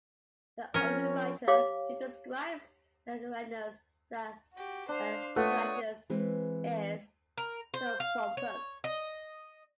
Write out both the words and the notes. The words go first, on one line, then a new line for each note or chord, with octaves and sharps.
The only writer who describes the Agrianes as Thracians is Theopompus.
F3 C4 C#4 A#4 C#5
G4 C#5 F5 D6
F#4 G4
D4 C5 F5
A3 F4 A4 B4 C#5 F#5 D#6
E3 G#3 C4 B4
A#4
C5
F5
C#5
D#5